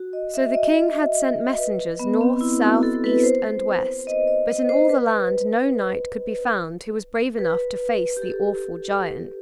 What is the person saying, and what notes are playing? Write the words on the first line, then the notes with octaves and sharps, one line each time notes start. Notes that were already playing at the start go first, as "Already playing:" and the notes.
So the King had sent messengers north, south, east, and west, but in all the land no knight could be found who was brave enough to face the awful giant.
Already playing: F#4
D#5
E5
D#5
B4
B3
C4
E4
F#4
A4
B4
C5
D#5
D#5
D#5
C5
B4
B4
G4
A4